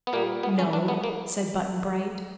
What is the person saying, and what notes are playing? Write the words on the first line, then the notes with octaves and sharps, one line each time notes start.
"No," said Button-Bright.
B3
A#2 G3 A#3
B3
C#4
D4
B3
A#3